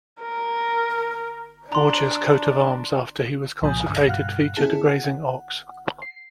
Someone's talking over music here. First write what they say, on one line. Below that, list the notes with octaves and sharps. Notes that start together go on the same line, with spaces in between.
Borgia's coat of arms after he was consecrated featured a grazing ox.
A#4
D4 A#5 C6
C2 A#2 F3 G#5 D#6 G6
G2 D3
G2 B2 F5 F#5 F6 F#6
B3 C#4 E4 G#4 A5
F#5
C7